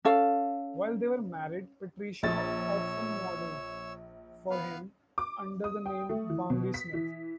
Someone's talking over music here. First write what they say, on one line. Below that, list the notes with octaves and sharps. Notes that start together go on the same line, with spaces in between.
While they were married, Patricia often modeled for him, under the name Bambi Smith.
C#4 A4 F5
A#1 C#5 E6 A6
B3 B4 F5
D6
D#6
G5
A3
E3
B2
B6
E3